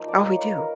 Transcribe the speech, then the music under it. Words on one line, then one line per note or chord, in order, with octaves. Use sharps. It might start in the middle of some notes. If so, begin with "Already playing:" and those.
Oh, we do,
Already playing: F3 A#3 D#4
D5
C#5
B4
A#4